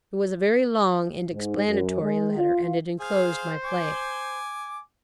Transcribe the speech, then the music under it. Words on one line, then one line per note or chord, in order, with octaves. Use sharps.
It was a very long and explanatory letter, and it enclosed my play.
G#2
F#2
G#3
F4
G#4 C5 F5
G#5 D6